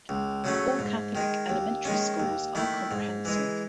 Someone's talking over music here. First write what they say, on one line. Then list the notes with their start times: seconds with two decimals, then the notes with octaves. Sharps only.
All Catholic elementary schools are comprehensive.
0.09 C#2
0.44 C#3 F#3 A3 C#4
0.79 G#2
1.15 D#3 G#3
1.49 D#2
1.85 D#3 G#3 C#4
2.20 D#2
2.55 D#3 A3 E4
2.91 G#2
3.25 E3 G#3